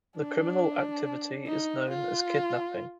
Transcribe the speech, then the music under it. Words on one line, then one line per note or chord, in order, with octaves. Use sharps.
The criminal activity is known as kidnapping.
D4
D#4
F4